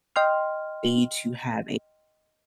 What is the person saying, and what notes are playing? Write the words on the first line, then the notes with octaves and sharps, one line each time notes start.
stage to have a
D#5 G5 C6 F6